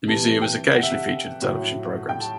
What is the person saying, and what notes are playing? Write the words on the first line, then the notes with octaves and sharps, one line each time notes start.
The museum has occasionally featured in television programmes.
C3 E3 G3 A5
G5
F#5
E5
F#5
A2 F#3 A3
G5
A5